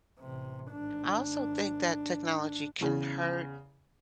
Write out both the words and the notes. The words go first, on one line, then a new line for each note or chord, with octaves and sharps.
I also think that technology can hurt
A1 C3
G#1 D4
E2 C#3